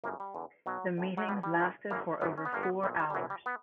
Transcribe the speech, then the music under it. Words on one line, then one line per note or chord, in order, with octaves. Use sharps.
The meetings lasted for over four hours.
G1 F#2 C#3 A#3
G3
E2 D3
B1 B2 F#3
D2 D3
F#3
C#2 B2 G3
G3
D2 C#3 E3
G1 F#2 E3 A#3
G1 F#2 E3 B3
C#4
B3
G1 G2 D3 A#3
B3
B1 A#2 G3
G3
G3
G1 F#2 E3 F#3
G3
B3